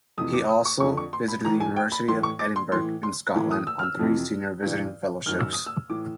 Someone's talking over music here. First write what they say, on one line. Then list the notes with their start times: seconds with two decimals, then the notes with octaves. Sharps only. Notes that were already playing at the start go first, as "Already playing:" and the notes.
He also visited the University of Edinburgh in Scotland on three Senior Visiting Fellowships.
0.18 F2 C3 E3 D#6
0.33 D6
0.49 D#6
0.65 C#6
0.80 F2 D3 C#6
0.97 C#6
1.13 C6
1.28 B5
1.44 A2 E3 A#5
1.60 G#5
1.76 G5
1.92 B5
2.08 A2 C6
2.12 E3
2.23 C#6
2.39 D6
2.56 C6
2.72 A2 E3 C6
3.03 C6
3.35 A2 E3
3.51 D#6
3.67 E6
3.79 F6
3.83 E6
3.99 F2 C3 E3
4.62 G2 E3
5.26 F#2 D#3 F6
5.39 E6
5.53 D#6
5.66 E6
5.90 A2 E3 D6